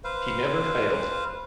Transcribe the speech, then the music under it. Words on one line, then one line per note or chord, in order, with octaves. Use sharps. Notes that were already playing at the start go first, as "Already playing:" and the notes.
He never failed.
B4 C5 F5